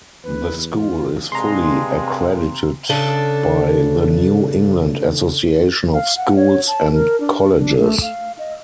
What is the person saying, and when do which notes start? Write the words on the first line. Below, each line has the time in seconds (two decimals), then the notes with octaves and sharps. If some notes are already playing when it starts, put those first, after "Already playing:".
The school is fully accredited by the New England Association of Schools and Colleges.
0.24 E2 B4
0.75 F4
1.32 G2 C3 G#3 A#5 C6
2.89 C#3 D4 A4
5.93 F5
6.17 F#5
6.36 C#5
6.67 A5
6.93 A#4
7.21 D4
7.58 D4
7.78 A3
8.02 F5
8.39 D#5